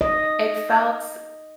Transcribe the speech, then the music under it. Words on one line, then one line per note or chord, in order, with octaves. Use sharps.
it felt
D#5